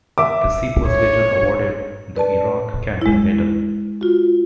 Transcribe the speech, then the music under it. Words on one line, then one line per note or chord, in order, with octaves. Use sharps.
The ship was later awarded the Iraq Campaign Medal.
E5 D6
C#5
B4 D5 A5
G#3 E4
F4 F#4